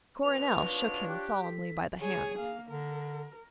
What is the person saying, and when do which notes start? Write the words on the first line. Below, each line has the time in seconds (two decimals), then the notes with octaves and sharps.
Coronel shook him solemnly by the hand.
0.23 G#1 B2 B4 F7
0.55 D4 F4 C#5
1.08 G4 F#6
1.43 A4 B6
2.02 G#4 C#5 G#5
2.38 A#3 F5
2.70 D3 A#4